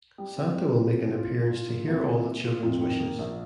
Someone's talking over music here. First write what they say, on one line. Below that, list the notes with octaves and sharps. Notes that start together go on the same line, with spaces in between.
Santa will make an appearance to hear all the children's wishes.
G3
C4
G3
C4
A#3
F4
F4
F4
A#2
C2
C2
A#2
F4
F2
D#3
A#3
A#1